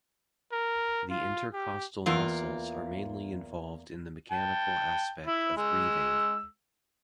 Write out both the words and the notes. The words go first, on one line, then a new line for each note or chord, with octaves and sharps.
The intercostal muscles are mainly involved in the mechanical aspect of breathing.
A#4
F4
G4
E2 A#3 F4
G5 A5
E4
G#3 E6